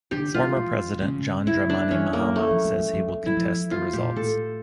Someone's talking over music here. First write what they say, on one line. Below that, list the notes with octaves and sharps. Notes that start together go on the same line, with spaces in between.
Former President John Dramani Mahama says he will contest the results.
D3 G4
E3 F4
E3
C#3
C#3 E4
D4
E3 C#4
E3 A#3
F3 A3
F3
F3
F3
F3
F3
F3
E4
F3
E3 F4
A#2 G4
A2 A4